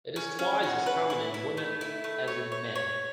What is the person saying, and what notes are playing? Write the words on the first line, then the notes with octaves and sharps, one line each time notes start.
It is twice as common in women as in men.
C#4
C#4
F#4
B4
E4
E4
A3
E4
A3
C#5
C#5
C#5